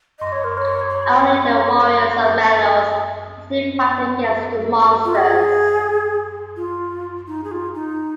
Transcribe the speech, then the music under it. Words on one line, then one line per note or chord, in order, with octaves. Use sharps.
Only the "Warriors of Melos" are still fighting against the "Monsters".
D#5
C#5
A#4
C#5
C#5
F4
G#4
F4
D#4
G#4
F4
D#4